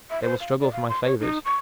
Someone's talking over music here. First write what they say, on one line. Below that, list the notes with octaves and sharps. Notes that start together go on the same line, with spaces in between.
They will struggle for my favors.
E5
C5
F5
D5
F5
C6
C#5
D#4
C#6